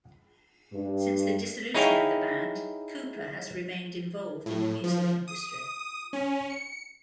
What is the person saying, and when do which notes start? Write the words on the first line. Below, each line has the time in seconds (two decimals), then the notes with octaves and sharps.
Since the dissolution of the band, Cooper has remained involved in the music industry.
0.73 G2
1.74 D#4 E4 G#4 C#5 F5 G5
4.46 A2
4.84 F3
5.28 D#6
6.13 C#4
6.50 C#7